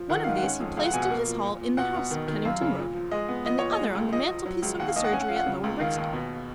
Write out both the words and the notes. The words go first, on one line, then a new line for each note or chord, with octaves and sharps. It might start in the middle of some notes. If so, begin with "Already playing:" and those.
One of these he placed in his hall in the house at Kennington Road, and the other on the mantelpiece of the surgery at Lower Brixton.
Already playing: F3
D#3 F#5
G#2 F5
F#5
C#4
F2
C#2 F5
F#5
B2 G#5
F#5
A#3
F3
A#2
A#2
B2 F#5
B2
D#3
D#3
F#2 F5
C#3
A#2
F3
G#3 D#5
B3
F3 D#5
A#2 C#5
D#5
G#3
C#2
F3 D#5
F3
F#3
C#2
D#2 F#5
F5
D#2 D#5
F#5
C#4 G#5
F#5
F3 F5
F#5
C#3
C#2
D#3 F5
D#2
B2